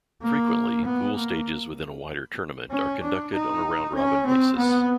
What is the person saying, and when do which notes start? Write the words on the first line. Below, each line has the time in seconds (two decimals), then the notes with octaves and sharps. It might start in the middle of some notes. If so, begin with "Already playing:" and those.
Frequently, pool stages within a wider tournament are conducted on a round-robin basis.
0.22 A#3
0.85 B3
1.16 A#3
2.71 C#4
3.03 D4
3.34 D#4
3.95 C#4
4.26 C4
4.57 B3